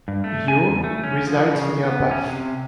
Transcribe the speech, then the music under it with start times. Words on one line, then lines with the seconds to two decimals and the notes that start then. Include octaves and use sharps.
Ure resides near Bath.
0.08 G2
0.24 A3
0.48 G#5
0.68 E2
0.84 A3
1.04 C#4
1.27 F3
1.55 C#3
1.83 B3
2.11 C#4
2.27 C3